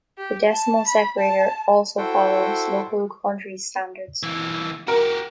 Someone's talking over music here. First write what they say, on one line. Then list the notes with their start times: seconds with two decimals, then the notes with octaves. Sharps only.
The decimal separator also follows local countries' standards.
0.18 G4
0.49 A5
0.88 B5
1.19 A5
1.98 E4 F#4 A4 C5 G5
4.23 E3 A#3
4.88 F#4 G4 A#4